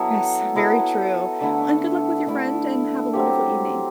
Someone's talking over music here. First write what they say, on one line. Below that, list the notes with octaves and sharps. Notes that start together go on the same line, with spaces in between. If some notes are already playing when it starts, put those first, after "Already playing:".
Yes, very true. Well, and good luck with your friend, and have a wonderful evening.
Already playing: F#3 B3 E4 A4
F#3 B3 E4 A4
D3 A3 E4
D3 A3 E4
F#3 C4 G4